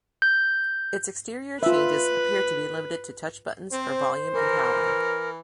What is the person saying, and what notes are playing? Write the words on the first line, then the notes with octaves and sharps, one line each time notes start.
Its exterior changes appear to be limited to touch buttons for volume and power.
G6
F4 B4 E5
C4 C5
E3 A#4